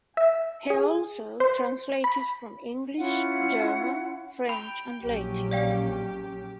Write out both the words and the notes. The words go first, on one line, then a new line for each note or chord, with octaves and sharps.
He also translated from English, German, French and Latin.
E5
G#4
C5
B5
C#4 E4 F4 F#5
G5 B5
A#1 F#3 C#4 G4
D5 F5 G5